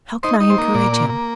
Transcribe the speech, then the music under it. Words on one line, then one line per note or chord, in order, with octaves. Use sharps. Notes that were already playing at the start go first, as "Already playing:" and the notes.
"How can I encourage him?"
D#4 C5
D#4
C5
A#3
A#2 D5
A#3
A#3